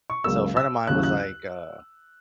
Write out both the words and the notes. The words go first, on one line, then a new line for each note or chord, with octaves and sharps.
so, a friend of mine was, like, uh
C#6
C#2 C#3 F#3 A#3 E6
E6
D#2 C#3 F#3 C#4 E4 F#6
F#6